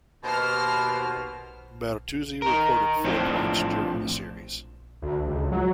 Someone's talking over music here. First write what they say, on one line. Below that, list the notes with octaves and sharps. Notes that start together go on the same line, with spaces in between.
Bertuzzi recorded four points during the series.
D#2 B2 C5 F6
D#4 A#4
A2 F3 C4 D4
D2
C#2
F#3